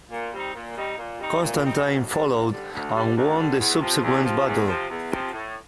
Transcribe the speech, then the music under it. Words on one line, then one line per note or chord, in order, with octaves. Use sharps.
Constantine followed, and won the subsequent battle.
A#2
G3 C4 D#4
A#2
G3 C4 D#4
A#2
G3 C4 D#4
A#2
G3 C4 D#4
D2
D3 G3
D2
D3 G3
D2
D3 G3
D2
D3 G3
E2
C3 F3
E2
C3 F3
E2
C3 F3
E2
C3 F3
A2